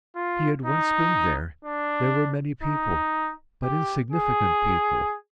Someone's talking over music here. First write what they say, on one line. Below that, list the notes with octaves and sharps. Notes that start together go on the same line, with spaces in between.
He had once been there; there were many people, but insignificant people.
F4
D#4
D4
D#4
G4
G#4